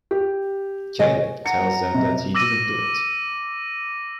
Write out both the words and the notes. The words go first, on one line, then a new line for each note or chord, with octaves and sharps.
Caleb tells them that he didn't do it.
G4
C#3 D#5 G#5
F#5 A#5 C#7
C3 D#5
D6 E6 A#6 D#7